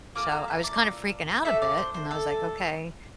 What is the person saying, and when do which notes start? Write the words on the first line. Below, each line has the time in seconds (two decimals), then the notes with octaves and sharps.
so I was kind of freaking out a bit, and I was like, "Okay,
0.15 A#3 F4 A4 D6
0.32 A#5
0.48 E5
0.64 D5
1.45 A3 D4 A4 E5
1.62 D5
1.77 C5
1.94 C5
2.11 A4